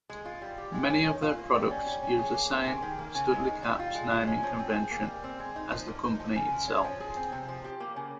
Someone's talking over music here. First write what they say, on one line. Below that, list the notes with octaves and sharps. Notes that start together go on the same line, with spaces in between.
Many of their products used the same StudlyCaps naming convention as the company itself.
G#3
F4
G3
G4
G#3
C#4
D#3
F4
A#3
G3
C#4
G3
C#4
G#4
A#3
G4
G#3
D#3
A#3
C#3
G#3
D#4
G3
F4
G#3
G#3
C#4
F3
C4
G#4
A#3
G3
C4
G#3
D#4
F3
A#3
D#4
F3
C#3
G#3
C#4
F3
G#4
C4
C3
F3
G4
A#3
C#3